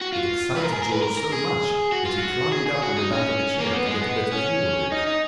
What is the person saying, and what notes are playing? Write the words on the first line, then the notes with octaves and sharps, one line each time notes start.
It excited George so much that he climbed up on the back of a chair to get a better view of it.
F#4
F4
B4
A#4
G#4
A#4
B4
A#4
A#4
G#4
F#4
F4
F#4
G#4
G#4
F#4
D#4
C#4
A#3
B3
G#3
B3
C#4
D#4
D#4